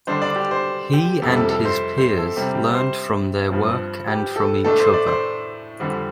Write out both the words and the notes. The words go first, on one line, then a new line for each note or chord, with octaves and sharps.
He and his peers learned from their work and from each other.
D3 G3 D4 C5
D5
G4
C5
G4
F2 C3 G3 A4
A4
A4
C5
C5
A4
C3 G3 C4 G4
G4
C5
G2 F3 C4
G4
A4
A2 A3 D4 A4
C5
D5
C5
F2 D3 G3 C4